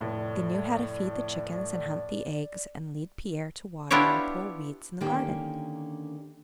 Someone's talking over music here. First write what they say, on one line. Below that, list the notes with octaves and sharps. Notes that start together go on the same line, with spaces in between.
They knew how to feed the chickens and hunt the eggs and lead Pier to water and pull weeds in the garden.
F1 A2 D5
B3 D4 E4 F4 G4 C#5
D3 D#3 A#3 C#4 G4 G5